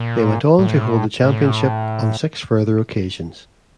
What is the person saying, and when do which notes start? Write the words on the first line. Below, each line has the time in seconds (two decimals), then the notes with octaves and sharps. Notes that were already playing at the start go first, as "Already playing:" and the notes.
They went on to hold the championship on six further occasions.
Already playing: A#2
0.59 A2
1.25 A2